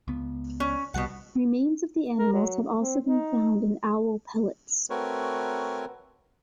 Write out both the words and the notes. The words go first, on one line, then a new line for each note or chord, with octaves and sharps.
Remains of the animals have also been found in owl pellets.
C#2 B3
C#4
C2 B2 G3 F#5
A#4
F#3
C4
D#4
A3 C4 F#4 A#4 B4 C#5